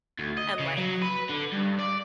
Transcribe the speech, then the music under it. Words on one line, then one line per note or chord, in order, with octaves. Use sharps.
and, like,
D2
D#5
C#3
F#3
B4
D3
G2
D5